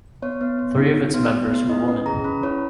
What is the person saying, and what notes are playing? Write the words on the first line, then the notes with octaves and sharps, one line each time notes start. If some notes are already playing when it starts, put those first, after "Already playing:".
Three of its members were women.
B3 C#5
B3
B3
D#4
F#4
B3
B3
B3
E4 D#5
C#4 B4
G#4 A#5
C#4 B5
E4 C#5